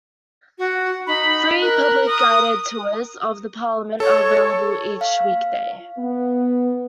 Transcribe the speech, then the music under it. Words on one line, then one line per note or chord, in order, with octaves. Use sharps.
Free public guided tours of the Parliament are available each week day.
F#4
D#4 B5
A#4 F#6
D#6
A4 C#5
F5
B3